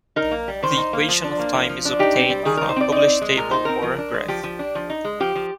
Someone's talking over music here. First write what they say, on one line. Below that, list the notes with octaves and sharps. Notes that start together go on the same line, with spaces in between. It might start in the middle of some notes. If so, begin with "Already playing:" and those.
The equation of time is obtained from a published table, or a graph.
D#4 A#4
A#3
G3
D#3 C5
D#4
A#3
F3
D4
A#3
F3
F3
D4
D#4 G4
C4
G3
D#3 G#4
A#4
D#4
C5
C4 D5
D#4 D5
C4
G#3
A#2 A#4
D#4 C5
C4 A#4
F3
D4
G#3
F3 G4
F3
D4
F3
D#4
G#3
F3 G4
F3